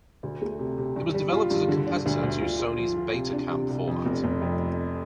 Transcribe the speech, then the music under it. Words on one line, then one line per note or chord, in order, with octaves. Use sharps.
It was developed as a competitor to Sony's Betacam format.
D2
A3
C3
C3
G2
G3
F4
G2
D3
D4
D2
D2
F4
F4
F3
F4
C3
D4
C3
C2
F2
F1
F1
F2